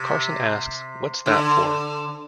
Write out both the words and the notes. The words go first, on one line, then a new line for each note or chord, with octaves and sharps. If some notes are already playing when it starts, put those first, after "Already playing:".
Carson asks What's that for?
Already playing: C3
D3